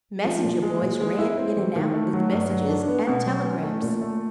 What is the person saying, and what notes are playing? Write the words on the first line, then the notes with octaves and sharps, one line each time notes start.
Messenger boys ran in and out with messages and telegrams.
F3
A#2
G#3
A#2
G#3
E4
C4
E3
D#3
A3
F#3
G2
F#3
D4
B3
B2
F#3
C#4
A3
A#2
A3